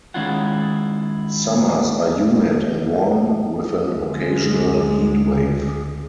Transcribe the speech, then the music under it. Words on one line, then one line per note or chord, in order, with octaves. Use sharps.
Summers are humid and warm, with an occasional heatwave.
D#3 G#3 C#4 E4 F4 F#5
D2 G#3